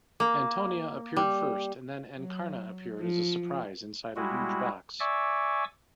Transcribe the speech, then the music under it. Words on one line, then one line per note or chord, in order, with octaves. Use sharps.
Antonia appeared first and then Encarna appeared as a surprise inside a huge box.
A#3
G3
F#3
F3
G3 G#3 E4 F#4
D5 E5 G#5 C#6 D6 E6